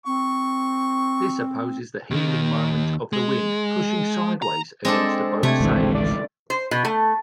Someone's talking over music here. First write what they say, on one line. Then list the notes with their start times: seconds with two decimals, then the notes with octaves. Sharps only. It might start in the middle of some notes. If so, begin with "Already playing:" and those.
This opposes the heeling moment of the wind pushing sideways against the boat's sails.
0.06 C4 C#6
2.11 D#2 D#3
3.13 G#3
4.42 A#5
4.85 G#3 C4 D4 A4
5.43 C3 A3 G#6
5.60 G#1 C#2 E3
5.95 D5
6.50 C5
6.71 B2
6.85 A3